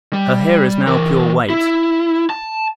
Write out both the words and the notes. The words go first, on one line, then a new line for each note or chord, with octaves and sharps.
Her hair is now pure white.
G3
E3 A#4
E4
A5